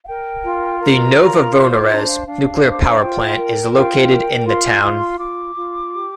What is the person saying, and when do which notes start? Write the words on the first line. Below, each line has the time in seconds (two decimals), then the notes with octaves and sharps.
The Novovoronezh Nuclear Power Plant is located in the town.
0.04 F5
0.08 A#4 G5
0.44 F4
0.81 A#4 A#5
1.18 F4
1.54 C5 C6
1.72 D6
1.91 D4 A#5
2.08 F5
2.27 D4 F5
2.63 C5
2.72 D6
2.82 C6
2.91 A#5
3.00 F4 G5
3.37 A#4
3.73 F4 G5
4.11 A#4
4.46 F4 C6
4.84 F4
5.19 F4 D6
5.56 F4
5.93 G4